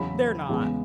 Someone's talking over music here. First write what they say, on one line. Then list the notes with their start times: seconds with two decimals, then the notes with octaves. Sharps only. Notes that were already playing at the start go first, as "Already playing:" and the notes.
They're not.
Already playing: E2 C#3 F#3 B5
0.49 E2 C#3 G#3 B3